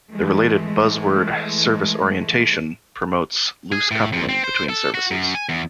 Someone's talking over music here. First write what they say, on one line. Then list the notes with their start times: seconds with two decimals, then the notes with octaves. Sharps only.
The related buzzword service-orientation promotes "loose coupling" between services.
0.11 E3 G#3 A3
3.72 G#4
3.91 A2
4.13 F2
4.29 C4
4.44 C5
4.69 A4
4.94 F#4
5.11 F#2
5.35 G#5
5.49 E2